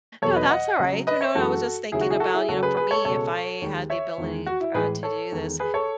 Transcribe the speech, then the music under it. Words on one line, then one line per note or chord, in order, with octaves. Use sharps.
No, that's all right. You know, I was just thinking about, you know, for me, if I had the ability f uh, to do this,
E2 B2 F#3 A4 C#5
B4 D#5
D#5 F#5
C#2 C#3 F#3
B4 D#5
C#5 E5
F#2 E3 G#3 F#4 A4
D#2 C#3 F#3 E4 G#4
F#4
E4 G#4
F#4 A4
E4 G#4
C#2 C#3 F#3 F#4 A4
G#4 B4
G#4 B4
A4 C#5
C#2 B2 G#3 A4 C#5
D#2 D#3 G#3
C#5 E5
E2 D#3 G#3
F#4
E4
A2 E3 G#3 G#4 B4
A4 C#5
E2 D#3 G#3
G#4 B4
A4 C#5